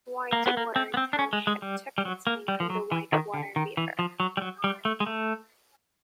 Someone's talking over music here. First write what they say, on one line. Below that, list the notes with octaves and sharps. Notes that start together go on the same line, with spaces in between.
Whitewater Township took its name from the Whitewater River.
A#3
B3
A#3
C4
B3
C4
D4
C#4
G#3
G#3
G3
G3
F#3
A#3
G3
F3
F#3
E3
D#3
D3
D#3
E3
F3
F#3
G3
F#3
G3
A3
G#3
A3